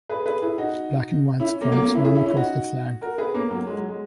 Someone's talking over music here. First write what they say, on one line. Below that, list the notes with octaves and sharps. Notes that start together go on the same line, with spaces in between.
Black and white stripes run across the flag.
G#4 B4
G#4 B4
E4 G#4
D#4 F#4
C#4 E4
A#3 C#4
F#3 A#3
A#3 C#4
C#4 E4
E4 G#4
C#4 E4
C#4 E4
D#4 F#4
F#4 A#4
G#4 B4
A#3 C#4
F#3 A#3
G#3
F#3
G#3